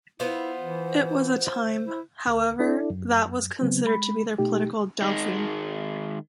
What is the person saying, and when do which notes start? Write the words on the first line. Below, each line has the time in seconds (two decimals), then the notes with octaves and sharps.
It was a time however, that was considered to be their political dauphine.
0.20 B3 E4 F4 C5
0.59 E3
1.85 E4
2.27 D2 A#4
2.59 D4 E4 A4 D5
2.90 F#2
3.61 C#3 F#3 B3 C4
3.85 G#3 B5
4.38 B2 A3 D#4 G4
5.02 D#3 G#3